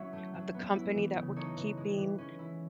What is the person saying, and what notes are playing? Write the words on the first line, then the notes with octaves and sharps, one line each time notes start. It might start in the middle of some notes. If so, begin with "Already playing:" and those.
of the company that we're keeping.
Already playing: F#3 C#4 E4 C#5 E5
A3
F#3
B3
E4
E3
C#3
D#4 A4 C#5
E3
G#3
E3
C#4
E4